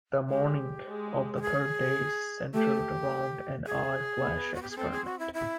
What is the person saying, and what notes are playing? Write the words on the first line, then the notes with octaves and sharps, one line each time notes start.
The "morning" of the third day centered around an "eye flash" experiment.
G#3 G4
G#3
G4
G#4
A3 G4
G#4
B3
F#4
G4
G#4
C4 A4
G#4
F#4
E4
E4